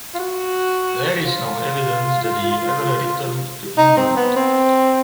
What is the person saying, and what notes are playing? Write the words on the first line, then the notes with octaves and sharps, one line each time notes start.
There is no evidence that he ever returned to England.
F4
F#4
F4
D#4
C4
B3
C4